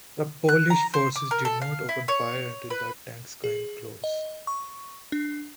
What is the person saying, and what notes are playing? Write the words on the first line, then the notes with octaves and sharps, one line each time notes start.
The Polish forces did not open fire until the tanks came close.
F#6
A#5
C5
D6
A#4
A4
F5
E4
C#5
B4
G#4
D#5
C#6
D4